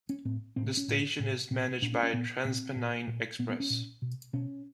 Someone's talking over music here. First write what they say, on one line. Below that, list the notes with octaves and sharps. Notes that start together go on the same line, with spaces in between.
The station is managed by TransPennine Express.
C#4
A2 C4
A2 C4
C4
C#4
A2
A2
A#2 C4
A#2 D4
C#4
C#4
A#2 B3
A#2 C4
A#2
A#2
A#2 B3
B3
C#4
A#2
B2
B2 C#4